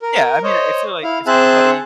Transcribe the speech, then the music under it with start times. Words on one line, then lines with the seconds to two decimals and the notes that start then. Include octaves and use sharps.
Yeah, I mean I feel, like, if somebody's,
0.02 A#4
0.43 C5 C#5 D#5
1.03 E4 F5
1.27 C4 G#4 C5 E5 A5 F#6